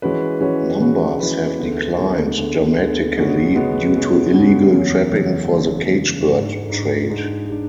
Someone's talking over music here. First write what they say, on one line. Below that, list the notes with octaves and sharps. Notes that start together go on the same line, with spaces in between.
Numbers have declined dramatically due to illegal trapping for the cage-bird trade.
E3 G#3 C#4 F#4 B4
E3 G#3 C#4 F#4 B4
E3 G#3 C#4 F#4 B4
E3 G#3 C#4 F#4 B4
D2 D3 G#3 B3
D2 D3 G#3 B3
D2 D3 G#3 B3
D2 D3 G#3 B3
F#2 C#3 G#3 B3 F#4
F#2 C#3 G#3 B3 F#4
F#2 C#3 G#3 B3 F#4
F#2 C#3 G#3 B3 F#4
E2 C#3 F#3
E2 C#3 F#3
E2 C#3 F#3
E2 C#3 F#3
G#2 G#3 D4
G#2 G#3 D4
G#2 G#3 D4
G#3 D4